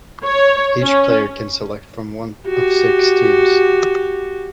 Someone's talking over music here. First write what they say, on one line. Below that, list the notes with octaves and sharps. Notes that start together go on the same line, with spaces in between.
Each player can select from one of six teams.
C#5
C#4
F#4 G4